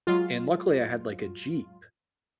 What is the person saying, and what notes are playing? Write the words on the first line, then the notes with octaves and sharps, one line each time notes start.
and luckily I had, like, a Jeep
F#3 G#3 F4